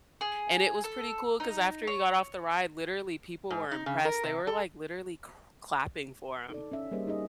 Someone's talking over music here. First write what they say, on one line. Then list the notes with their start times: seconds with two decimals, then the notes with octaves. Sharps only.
And it was pretty cool, 'cause after he got off the ride, literally, people were impressed. They were, like, literally c clapping for him.
0.21 G#4
0.84 A4
1.40 D#4
1.87 C#5
3.50 G#2
3.71 D#4
3.86 C#3
4.05 A#4
4.23 C3
4.47 A4
6.50 D#4 A4 D5
6.72 C#4 E5
6.91 G3 A#3 G#4 A#4 C5 D#5
7.07 D#4 G#4 D#5